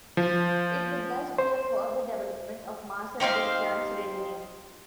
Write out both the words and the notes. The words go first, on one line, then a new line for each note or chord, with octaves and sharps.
It would thus be a further development of Marcel Duchamp's readymades.
F3
C5
D#4 G4 C5 F5